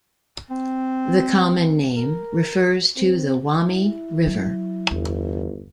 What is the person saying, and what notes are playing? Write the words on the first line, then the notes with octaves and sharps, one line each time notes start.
The common name refers to the Wami River.
C4
A#4
C4
E4
F#3
G1 E2